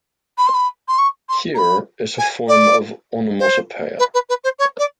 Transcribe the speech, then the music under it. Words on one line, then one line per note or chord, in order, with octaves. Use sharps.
Here it a form of onomatopeia.
B5
C6
B5
C6
C#6
C6
A#5
B5
G#5
D5
C5
B4
B4
B4
C5
C#5
D5